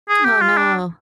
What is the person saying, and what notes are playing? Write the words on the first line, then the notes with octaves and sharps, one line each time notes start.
Oh no.
G#4
G4
F4
D4